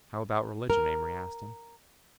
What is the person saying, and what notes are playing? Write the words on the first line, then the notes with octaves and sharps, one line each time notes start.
"How about religion?" Amory asked him.
A#4